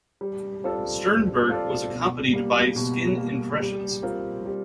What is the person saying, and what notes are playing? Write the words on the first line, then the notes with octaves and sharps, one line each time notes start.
Sternberg was accompanied by skin impressions.
G3
C4 F4 A4 D5
G3
C4 F4 A4 D5
B2
G3 A#3
B2
G3 A#3
G3
C4 F4 A#4
G3